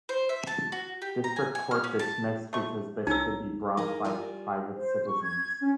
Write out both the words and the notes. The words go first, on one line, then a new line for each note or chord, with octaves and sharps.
District court dismissed because this could be brought by private citizens.
C5
E5
A5
F#4
G4
A#5
G#5
G#5
F6
C#4
A5
A3 C#6
C2 C#4 D#4 A#4 E6
D#4 G#4 A#4
G3 F4 G#5
C5
C#6
G#6
C#4